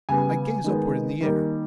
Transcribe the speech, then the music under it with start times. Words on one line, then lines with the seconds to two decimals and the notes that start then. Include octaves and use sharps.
I gaze upward in the air.
0.09 C#3 G3 B3 G#5
0.64 D#3 G#3 B3
1.21 D#3 G3 A#3